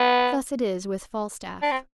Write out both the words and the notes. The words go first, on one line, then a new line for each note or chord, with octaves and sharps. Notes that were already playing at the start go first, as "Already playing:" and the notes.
Thus it is with Falstaff.
Already playing: B3
D4
C4